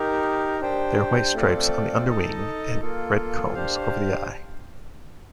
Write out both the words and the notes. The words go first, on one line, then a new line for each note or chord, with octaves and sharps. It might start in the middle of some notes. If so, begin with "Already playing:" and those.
There are white stripes on the underwing and red combs over the eye.
Already playing: D#4 G4 A#4
D4 G4 C5 G5
A3 C4 F4 A4 D5
D#4 A4 D#5 A5
A#3 F4 A4
D4 G4 C5 F5